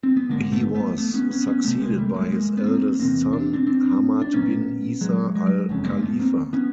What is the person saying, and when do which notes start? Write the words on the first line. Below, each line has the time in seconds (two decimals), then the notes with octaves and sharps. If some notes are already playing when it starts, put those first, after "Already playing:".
He was succeeded by his eldest son, Hamad bin Isa Al Khalifa.
0.03 C4
0.17 B3
0.29 G#1 F#2 D3 G#3 A#3
0.52 A3 B3
0.75 A3 B3
0.98 A3 B3
1.14 B3 C#4
1.31 B3 C#4
1.47 B3 C#4
1.64 C2 C3 A3 B3
1.82 G#3 A#3
1.98 G3 A3
2.15 G#3 A#3
2.32 G#3 A#3
2.57 B3
2.66 A#3 C4
2.99 E1 E2 C3 A#3 C4
3.33 D4
3.53 C4 D4
3.67 C4 D4
4.22 D4
4.34 B1 A#2 B3 C#4
5.01 F#3 G#3
5.35 F#3 G#3
5.69 F#1 F2 C#3
5.85 G#3 A#3
5.97 A#3
6.02 A3 B3
6.19 A#3 C4
6.53 B3 C#4